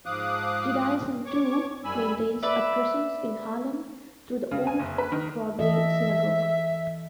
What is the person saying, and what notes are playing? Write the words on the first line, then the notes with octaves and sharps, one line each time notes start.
Judaism, too, maintains a presence in Harlem through the Old Broadway Synagogue.
G#2 F3 F5 D6 D#6 F#6
C#5 C#6 D6
F#2 G3 G#5 B5 E6
B4 D5 E5
C#3
G#5
F#1
B4
D#3
E3 A4 D#5 E5